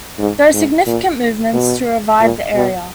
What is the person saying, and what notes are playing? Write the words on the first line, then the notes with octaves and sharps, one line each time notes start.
There are significant movements to revive the area.
G#2
G#2
A#2
B2
A#2
B2